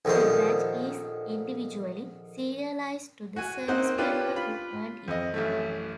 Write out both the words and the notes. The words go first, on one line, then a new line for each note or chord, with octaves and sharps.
The badge is individually serialized to the service member who earned it.
A#1 D3 D#3 C5
F#4 G#5 F#6
A#3 C4 D#4 C5 D#5 F#5
C#4 D4 F4 G4 B4
F4 B5
F2 D#5
A1 F#2 A3